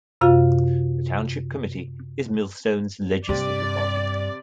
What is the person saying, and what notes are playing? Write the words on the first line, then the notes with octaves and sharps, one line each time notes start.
The Township Committee is Millstone's legislative body.
F#2 C3 F4 F5
G2 C3 C4 D5